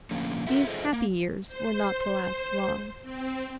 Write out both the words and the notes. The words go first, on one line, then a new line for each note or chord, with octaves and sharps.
These happy years were not to last long.
D3 F3 A#3 C#4
F4 F#4 A4 A#4 E5 F#5
F4 G#4 A4 C5 D#5 E5
A#3
C5
C4